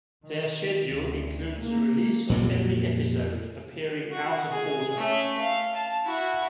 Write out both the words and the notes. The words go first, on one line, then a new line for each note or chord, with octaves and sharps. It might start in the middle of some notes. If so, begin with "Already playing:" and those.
Their schedule includes a release of every episode, appearing out of order.
D#3
D2
A#3
F2 A#2 G3
F#4
G#4
A3 C#4
F5
A5
E4 F#4